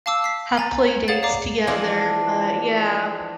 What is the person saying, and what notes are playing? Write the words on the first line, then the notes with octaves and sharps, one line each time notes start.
have play dates together, but yeah.
F5 A5 D6 E6
B6 C7
G#5 A#5 A6
G#6
G#4 C#5 F5 F#5 A6 F#7
D5 F5 A#5 D6
E3 F3 C4 D4